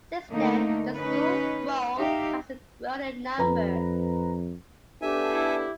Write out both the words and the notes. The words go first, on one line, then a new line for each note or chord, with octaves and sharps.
Since then, the school roll has grown in number.
D3 A3 A#3 D#4
C#4 D#4 B4
D#4 G4 E5 F5
F2 B4 A#5
B3 D4 G4 A4 E5 G#5
E4